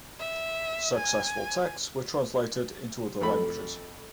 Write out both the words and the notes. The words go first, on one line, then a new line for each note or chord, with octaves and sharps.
Successful texts were translated into other languages.
E5
G#5
F2 A3 B5